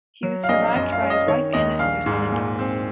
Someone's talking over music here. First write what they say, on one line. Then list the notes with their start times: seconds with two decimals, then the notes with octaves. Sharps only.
He was survived by his wife Anna and their son and daughter.
0.23 F#3
0.44 F5
0.49 A#1 D#5
0.75 F#2 D#5
0.92 F5
1.01 C#4
1.10 D#5
1.27 D#3 C#5
1.53 D#2 D#5
1.79 A#1 F5
2.06 G#2
2.32 A#2
2.59 C4